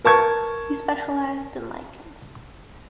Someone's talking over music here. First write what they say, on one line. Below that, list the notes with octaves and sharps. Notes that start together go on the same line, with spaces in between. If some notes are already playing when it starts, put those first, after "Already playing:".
He specialized in lichens.
A#4 A5 C#6 G#6